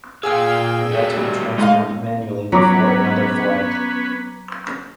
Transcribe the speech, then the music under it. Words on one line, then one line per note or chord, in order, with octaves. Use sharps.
They had to be transported manually before another flight.
A#2 G#4 F5 G5 G#5 E6
F#3 A3
G3
A2 G#3 D#4 F5
F#3 B3 C#4 B4 A#5 D6